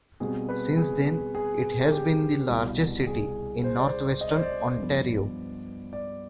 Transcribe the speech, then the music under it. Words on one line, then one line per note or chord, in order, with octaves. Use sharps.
Since then it has been the largest city in Northwestern Ontario.
B2 G3 C4 G#4
B4
G#4
G#4
G4
C2 B2 B3
G#4
C5
D5
C5
D#5
D5
C5
D5
G2 F3 B3
D5